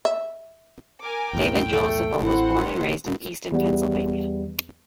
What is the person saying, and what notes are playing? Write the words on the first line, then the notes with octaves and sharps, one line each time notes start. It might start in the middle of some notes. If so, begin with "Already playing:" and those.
David Joel Zippel was born and raised in Easton, Pennsylvania.
E5
A#4 G#5 D6
B1 E2 A2 G5
A3
A1 C4 E4 C5 F#5
E2 G3 B3